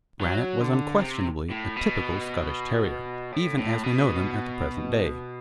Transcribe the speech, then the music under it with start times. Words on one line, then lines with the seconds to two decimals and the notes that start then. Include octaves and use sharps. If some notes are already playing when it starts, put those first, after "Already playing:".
Granite was unquestionably a typical Scottish Terrier, even as we know them at the present day.
0.21 F#3
0.61 D3
0.99 C3
1.51 A2
1.76 B2
3.32 A2
3.58 A2
3.83 B2